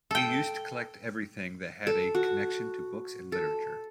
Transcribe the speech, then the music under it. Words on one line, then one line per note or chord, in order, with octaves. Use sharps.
He used collect everything that had a connection to books and literature.
A4 G5
A4
F#4
A4